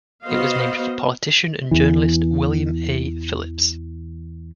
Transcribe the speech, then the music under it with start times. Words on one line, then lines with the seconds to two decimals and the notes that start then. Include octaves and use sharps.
It was named for politician and journalist William A. Phillips.
0.24 B3 F#4 C5 D#5 F5
1.71 E2 E3